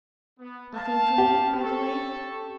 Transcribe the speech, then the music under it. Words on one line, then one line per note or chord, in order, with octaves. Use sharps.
Nothing for me, by-the-way?'
B3
F5 A5
G4
A4 C#6